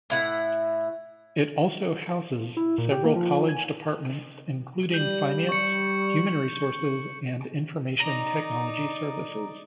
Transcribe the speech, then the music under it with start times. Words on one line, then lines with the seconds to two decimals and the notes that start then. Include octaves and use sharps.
It also houses several college departments including finance, human resources and information technology services.
0.10 A2 E4 F#5
2.57 E4
2.78 A#2
2.91 G4
3.04 A#3
3.16 F3
3.49 G#5
4.94 G3 G6 F#7
5.49 C#6 C#7
8.00 D#4 D5 A#5